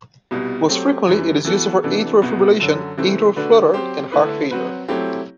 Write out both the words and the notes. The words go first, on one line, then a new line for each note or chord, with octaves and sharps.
Most frequently it is used for atrial fibrillation, atrial flutter, and heart failure.
C2 B2 G3
F#3 A3 C4 G4
F#2 E3 G3
E3 B3 F#4 A4
C3 E3 B3 D4 A4
C2 B2 G3 B3
F#2 D3 F#3
C3 E3 A3 C4
D3 A3 D4 F#4 B4
F#3 C4 G4 C5
D3 A3 E4 B4
F#3 C4 F#4 B4
F#3 A3 C4 E4 G4